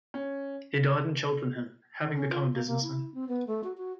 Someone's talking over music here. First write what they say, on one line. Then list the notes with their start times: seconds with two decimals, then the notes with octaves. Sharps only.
He died in Cheltenham, having become a businessman.
0.14 C#4
2.01 D#3
2.16 C#4
2.31 F4
2.53 A#3
2.67 A#3
2.83 E4
3.14 C4
3.29 B3
3.47 A3
3.64 F#4
3.77 F#4